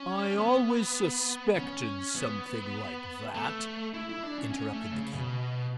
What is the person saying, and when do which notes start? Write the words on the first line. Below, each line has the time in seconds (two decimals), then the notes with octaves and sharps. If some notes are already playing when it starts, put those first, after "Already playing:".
"I always suspected something like that," interrupted the king.
Already playing: C#4
0.38 B3
1.56 C#4
2.16 B3
3.35 A3
3.94 E4
4.09 E4
4.23 D4
4.38 C#4
4.52 C#4
4.73 A3
4.92 C#3
5.12 B2